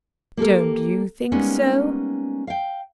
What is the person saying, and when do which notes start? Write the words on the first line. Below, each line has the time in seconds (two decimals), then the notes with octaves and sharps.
'Don't you think so?
0.37 A#3 G4 A4 A#4
1.32 G3 G#3 A#3 B3 C#4 D#4
2.47 F5 G5